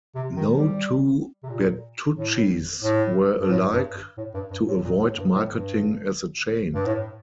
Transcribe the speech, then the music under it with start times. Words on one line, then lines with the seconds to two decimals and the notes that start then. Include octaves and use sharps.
No two Bertucci's were alike to avoid marketing as a chain.
0.15 C3
0.37 D#3
0.55 F3
0.59 G3
1.43 C3
1.49 A#2
2.16 A2
2.83 A2
3.40 G2
3.50 A2
3.73 G2
4.17 A2
4.34 G2
4.50 G2
4.68 A2
4.84 A#2
5.02 A2
5.18 G2
5.35 A2
5.51 G2
6.74 G2
6.86 A2